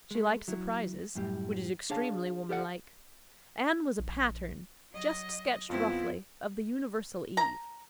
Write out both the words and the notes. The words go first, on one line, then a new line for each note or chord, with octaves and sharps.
She liked surprises, which is extremely woman-like. Anne was a pattern--just sketched roughly--of the universal Eve.
G#3 A3
F#3 E4
F#2 A2 G3
D4 G#4 C#5 F5 A5
G4 A4 D5 F#5
A#1
F#3 D#5
F2 B3 C4 E4 F4
A#5